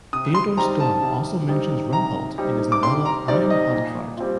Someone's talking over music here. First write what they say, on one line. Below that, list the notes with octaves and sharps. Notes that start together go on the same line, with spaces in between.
Theodor Storm also mentions Rungholt in his novella "Eine Halligfahrt".
C3 D#6
C6
G3 C4 D#4 A#5
A5
C3
G3 C4 D#4
C3 A#5
G3 C4 D#4
D6
C3 C6
A#5
G3 C4 D#4 D5
D#5
A#2
G3 C4 F4